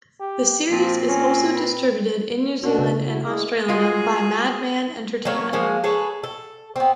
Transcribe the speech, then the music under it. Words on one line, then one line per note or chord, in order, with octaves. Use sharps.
The series is also distributed in New Zealand and Australia by Madman Entertainment.
G4
A#2 F3 C4
C#4
B4
B2 C#4 D4 F#4
C#3
E4 F#4
G#3 E4 G#4
G#3 F4 F#4 G#4
F#3 A3 A#3 C#5
F3 G#3 A#3 F#4
G#4 A4 B4 C#5
A4
B3 C4